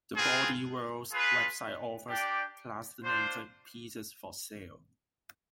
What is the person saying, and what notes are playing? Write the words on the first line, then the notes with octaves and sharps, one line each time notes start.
The Body Worlds website offers plastinated pieces for sale.
C4 F4 G#4 B4 F5
F4 G#4 B4
D4 G4 D5 G5
D4 F4 C5